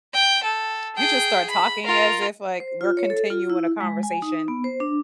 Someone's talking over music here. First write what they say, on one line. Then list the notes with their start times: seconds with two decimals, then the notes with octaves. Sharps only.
you just start talking as if like we're continuing a conversation
0.14 G5
0.44 A4
0.96 G#4 G5
1.51 B5
1.85 F4 A#4
2.60 C5
2.81 F4
2.97 C#5
3.10 A4
3.30 F4
3.50 E4
3.81 G#3
4.03 G#5
4.22 D#4
4.48 B3
4.64 C5
4.80 D4